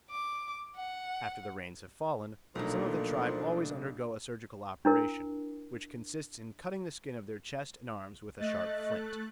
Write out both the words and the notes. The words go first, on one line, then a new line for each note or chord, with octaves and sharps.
After the rains have fallen, some of the tribe always undergo a surgical operation, which consists in cutting the skin of their chest and arms with a sharp flint.
D6
F#5
B1 A#2 D#3 F3 A3 A#3 D4
D4 E4 A#4
A3 D#5 F#6 A6